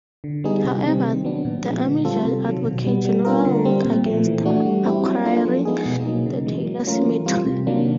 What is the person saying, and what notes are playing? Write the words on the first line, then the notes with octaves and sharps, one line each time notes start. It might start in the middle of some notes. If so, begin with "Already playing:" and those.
However, the Army judge advocate general ruled against acquiring the Taylor cemetery.
D3
G3 B3 D#4 G#4
C3
D#3 G3 C4
D#3
F#3 B3 D4
A#2
F3 G#3 B3
D3
G3 C4 F4 A4
C3
D#3 F#3
B2
G3 B3
G3
B3 D4 F4 A#4
D3
G3 C4
A#2
F3 A3
E3
A3 D4 F#4
G3
C4 E4 G4
F#3
A#3 D4 F4 A4
F3
G#3 B3 D#4 G#4
B2
F#3 A#3 D#4
C#3
E3 G#3
F#3
A3 C#4 F4 A#4
E3
G3 C4 F4
C3
D#3 F#3 A#3 D4